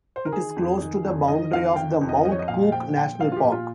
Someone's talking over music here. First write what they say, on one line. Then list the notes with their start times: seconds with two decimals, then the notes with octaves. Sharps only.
It is close to the boundary of the Mount Cook National Park.
0.16 C5
0.25 A#4
0.32 D#3 G#4
0.56 F2
0.81 D#3
1.05 F2
1.28 D#3 D#5
1.52 F2 F5
1.76 D#3 G5
2.01 F2
2.09 D#5
2.24 F3 D#5
2.32 C#5
2.39 D#5
2.48 A#2 F5
2.72 F3 G5
2.97 A#2 G5
3.21 F3 F5
3.32 F4
3.37 G4
3.44 A#2
3.52 F4